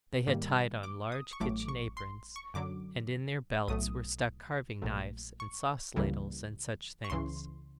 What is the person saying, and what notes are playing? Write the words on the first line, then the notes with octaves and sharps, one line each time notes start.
They had tied on large kitchen aprons, and in their belts were stuck carving knives and sauce ladles and such things.
G#2 D#3 G3 A#3
D6
D#6
C#6
A1 A2 F#3 A3 D6
D6
C#6
C6
C#6
F#2 D3 F#3 D6
B1 A2 F#3 A3 D#6
A#1 A#2 F#3 A3
C#6
C#2 C#3 E3 G3 A#3
C#6
C#2 C#3 E3 C6